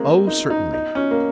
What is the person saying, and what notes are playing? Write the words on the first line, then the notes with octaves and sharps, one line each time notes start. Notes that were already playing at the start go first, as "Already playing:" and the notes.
'Oh, certainly.
Already playing: G#3 A#3 C4 C#4
D#4
D#4
D#4
C#4
A#3